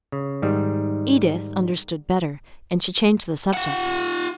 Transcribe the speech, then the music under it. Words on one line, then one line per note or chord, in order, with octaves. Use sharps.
Edith understood better, and she changed the subject.
C#3
G#2 D#3 G3
F4 F#5